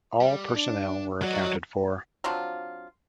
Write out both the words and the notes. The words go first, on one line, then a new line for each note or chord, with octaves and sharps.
All personnel were accounted for.
G3
D4
F#3 F#4 D5 D#5
F#3 C4 D4 F4